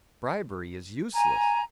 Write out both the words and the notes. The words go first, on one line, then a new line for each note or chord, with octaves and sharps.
Bribery is useless!
G#5 A#5